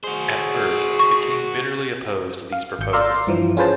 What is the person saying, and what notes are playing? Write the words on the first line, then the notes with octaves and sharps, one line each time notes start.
At first, the King bitterly opposed these proposals.
F#4 G#4 C5
C#6
F5
G#1 G6 C#7
D5 F5 A#5 C6 E6
G2 E3 F3
C#4 F4 G#4 B4 C5 A5